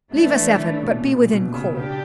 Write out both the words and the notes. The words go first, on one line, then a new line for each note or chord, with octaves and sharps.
Leave us, Evan, but be within call.'
G#2 E3 A3 D4
A2
B2
A#2
A#2
B2
C#3
C#3 D4 G4